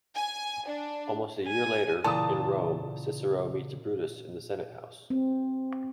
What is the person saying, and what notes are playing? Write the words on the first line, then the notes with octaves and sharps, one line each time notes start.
Almost a year later, in Rome, Cicero meets Brutus in the Senate House.
G#5
D4
G#5
A#2 C#3 E3 A5 D#6
C4